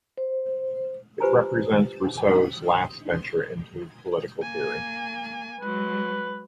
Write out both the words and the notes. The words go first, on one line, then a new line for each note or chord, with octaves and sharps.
It represents Rousseau's last venture into political theory.
C5
F4 G4 B4 C5 G#5 A#5
A#3 G#5
F#3 G#3 B4